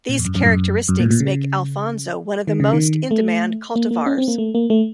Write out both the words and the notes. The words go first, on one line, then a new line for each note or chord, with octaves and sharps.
These characteristics make Alphonso one of the most in-demand cultivars.
A#2
F2
F#2
F#2
A2
F#2
F#2
A#2
A2
A#2
C#3
D#3
C#3
D#3
A3
A#3
A#3
C#4
C4
A#3
A3
A#3
A3